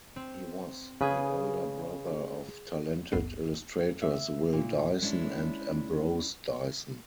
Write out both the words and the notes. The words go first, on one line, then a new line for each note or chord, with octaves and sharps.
He was the elder brother of talented illustrators Will Dyson and Ambrose Dyson.
C4
C#3 G#4 B4
G#1 D2 G2 B3 A4 C7
E5
A#2
G#3 C#4 D4 E4